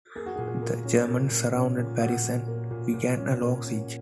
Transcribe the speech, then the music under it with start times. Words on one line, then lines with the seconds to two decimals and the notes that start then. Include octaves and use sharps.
The Germans surrounded Paris and began a long siege.
0.15 A#3 G#4
0.26 F#4
0.36 A#2 G#4
0.62 A#3
0.85 C#4
1.08 A#3
1.31 A#2
1.55 C#4
1.78 A#2
2.01 A#3 F#4
2.24 A#2
2.48 A#3
2.71 A#2
2.93 A#2
3.17 C#4
3.41 A#3
3.64 C#4